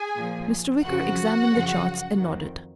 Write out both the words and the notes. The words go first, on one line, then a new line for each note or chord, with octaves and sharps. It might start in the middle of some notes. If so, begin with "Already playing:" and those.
Mr. Wicker examined the charts and nodded.
Already playing: G#4 G#5
A#2 F3
F2 C#3 F3 F#4 F#5
F#2 C#3 F3
F2 D#3